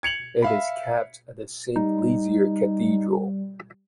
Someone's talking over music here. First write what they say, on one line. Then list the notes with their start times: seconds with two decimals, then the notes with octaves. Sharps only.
It is kept at the Saint-Lizier cathedral.
0.03 G#6 C#7 F7 F#7
0.42 E5 F5 B5
1.76 G3 D#4